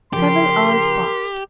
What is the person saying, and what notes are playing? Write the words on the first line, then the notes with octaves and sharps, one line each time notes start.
Several hours passed.
C#3 F3 G4 A#4 C6